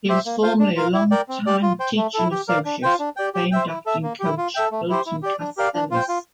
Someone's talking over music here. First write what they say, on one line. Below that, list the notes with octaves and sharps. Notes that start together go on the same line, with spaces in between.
He was formerly a longtime teaching associate of famed acting coach Milton Katselas.
G4 C5 E5
A#3
F4 C5 F5
D4
F4 A#4 F5
E4
A#4 D5 G5
C4
G4 D5
F4
C5 G5
A3
E4 A4
G4
A#4 D5 F5
D4
F4 C5 G5
D4
G4 D5 G5
G4
C5 E5 G5
E4
A4 E5
A#3
E4 G4
F4
A4 E5 G5
A3
E4 G4 C5
E4
G4 D5
D4
G4 A#4 D5 F5
D4
F4 C5 G5
F4